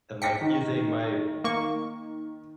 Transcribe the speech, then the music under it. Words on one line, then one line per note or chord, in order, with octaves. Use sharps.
And, like, using my
G5 A#6 B6 C#7
D#3
A#3 C#6